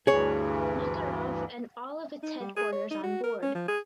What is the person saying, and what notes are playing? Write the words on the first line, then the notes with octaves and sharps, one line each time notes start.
Makarov and all of its headquarters on board.
D2 G2 E3 G#4 C#5
D#4
G3
G#4
C#5
D#4
F#4
A#4
C#4
F3
G#4